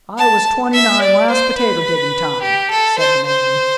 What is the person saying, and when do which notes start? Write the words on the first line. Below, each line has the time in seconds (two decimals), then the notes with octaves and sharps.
"I was twenty-nine last potato-digging time," said the man.
0.18 A5
0.74 E5
1.02 D5
1.30 C5
1.58 B4
2.42 G4
2.71 A4
2.99 C5
3.27 C5